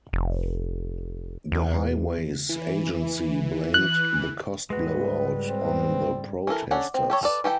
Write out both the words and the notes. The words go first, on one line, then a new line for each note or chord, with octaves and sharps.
The Highways Agency blamed the cost blow-out on the protesters.
F1
E2
E3
F#6
G#2 G3 G#3 F#4 B4
C4
E3 E4 A4 A#4
C#4 D4 A4 F#5
C4
G4 A4 C#5
A4 B4 D5
E3 G4 A4 G5